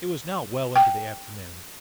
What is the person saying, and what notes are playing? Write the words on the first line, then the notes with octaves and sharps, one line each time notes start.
It was now well into the afternoon.
G5